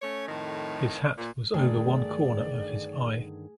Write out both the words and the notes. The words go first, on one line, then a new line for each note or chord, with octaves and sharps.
His hat was over one corner of his eye.
A3 C#4 C#5
F2 A2 D#3
A#2
G2 D3 D#3 A3 G#4 D5 G5